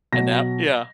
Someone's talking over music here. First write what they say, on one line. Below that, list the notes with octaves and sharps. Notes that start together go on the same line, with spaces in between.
and that yeah.
B2 F#3 A#6